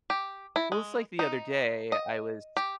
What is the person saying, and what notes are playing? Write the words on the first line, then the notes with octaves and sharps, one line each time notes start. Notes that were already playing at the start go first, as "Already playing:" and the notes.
Well, it's like the other day, I was
G4
E4
G#3
D#4
D#5
G4